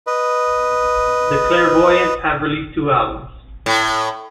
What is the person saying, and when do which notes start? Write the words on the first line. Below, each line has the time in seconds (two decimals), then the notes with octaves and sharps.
The Clare Voyants have released two albums.
0.07 B4 D#5
3.66 A2